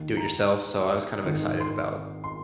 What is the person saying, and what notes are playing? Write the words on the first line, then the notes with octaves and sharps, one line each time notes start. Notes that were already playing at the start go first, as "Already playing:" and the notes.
do it yourself. So, I was kind of excited about
Already playing: D#2 D#3
A#5
D#6
G#1 G#2 D#3
C6
C6